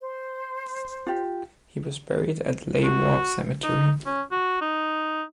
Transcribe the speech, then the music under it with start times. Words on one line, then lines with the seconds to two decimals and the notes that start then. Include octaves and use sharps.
He was buried at Lae War Cemetery.
0.01 C5
1.07 F4 G4
2.84 F#4
3.64 D#4
4.06 C#4
4.31 F#4
4.61 D#4